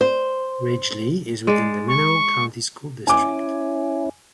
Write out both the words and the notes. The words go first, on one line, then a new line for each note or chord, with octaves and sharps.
Ridgeley is within the Mineral County School District.
C5
G#3 D5
C#6
C#4 E4 G#5 D6